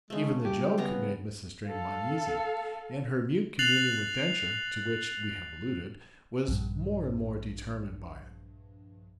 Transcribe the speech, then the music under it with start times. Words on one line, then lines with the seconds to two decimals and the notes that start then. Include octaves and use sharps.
Even the joke made Mrs. Stringham uneasy, and her mute communion with Densher, to which we have alluded, was more and more determined by it.
0.10 C#3 G#3 A3
0.45 G3 G4
0.78 C#3 B3 A#5
1.68 A4 F5
3.59 F#6 A6 C7 F7 F#7
6.48 A#1 G2